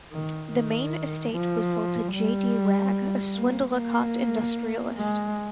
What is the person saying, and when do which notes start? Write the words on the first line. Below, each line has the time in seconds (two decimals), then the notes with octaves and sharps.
The main estate was sold to J. D. Wragg, a Swadlincote industrialist.
0.13 D#3
0.52 D#3
1.33 F3
2.14 G3
3.35 A#3
3.75 A#3
4.97 G#3